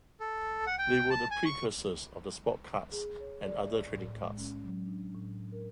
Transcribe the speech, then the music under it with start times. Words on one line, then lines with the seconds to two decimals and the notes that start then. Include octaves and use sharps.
They were the precursors of the sport cards and other trading cards.
0.20 A4
0.67 F#5
0.78 G5
1.10 A5
1.31 G#5
1.45 C#6
2.92 G#4
3.20 C#5
3.45 D5
3.59 E5
3.87 A2
4.19 G#3
4.37 C#4
4.64 F#3
4.86 D4
5.15 A2
5.52 A#4